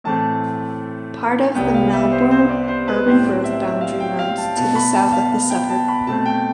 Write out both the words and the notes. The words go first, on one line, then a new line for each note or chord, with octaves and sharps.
Part of the Melbourne Urban Growth Boundary runs to the south of the suburb.
A2 E3 A3 C4 A5
C2 C3 G3 B3 G5
F5
E5
C5
C5
D5
C5
B4
A2 G3 C4 C5
D5
E5
E5
F5
G5
F5
A5
B2 B3 A5
B5
A5
F5
F5
G5
A5
B5
B2 A3 C4 A5
G5